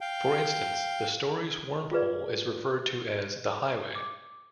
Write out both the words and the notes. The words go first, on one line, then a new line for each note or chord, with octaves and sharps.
For instance, the story's wormhole is referred to as "The Highway".
F5 G5
F4 G#4 B4 D5
D6